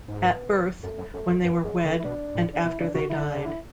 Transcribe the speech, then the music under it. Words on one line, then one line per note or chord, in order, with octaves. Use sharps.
At birth, when they were wed and after they died.
G#2
B3
F#2 A3
F#2
F#2 A3
F#2
F#2 B3
F#2 G#3
D3 A3
E4
B2 D4
A2
D4
B2 E4
C#3 D4
C#3 F#4
D3 E4
D4
E4